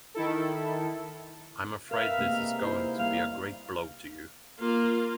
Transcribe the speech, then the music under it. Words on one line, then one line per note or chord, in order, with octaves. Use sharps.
I'm afraid this is going to be a great blow to you.
D#3 E4 A4
A#4 B4 E5 F5
C3 G#3 A#3
A#3 D#4 E4 C5
G3 A#3 F5
A#3 F4